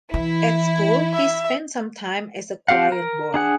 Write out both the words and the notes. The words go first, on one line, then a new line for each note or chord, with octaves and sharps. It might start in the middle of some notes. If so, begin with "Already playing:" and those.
At school he spent some time as a choir boy.
E3 E4
E5
C4 G4 F5 F#5
A#4
D4 G#4 F#5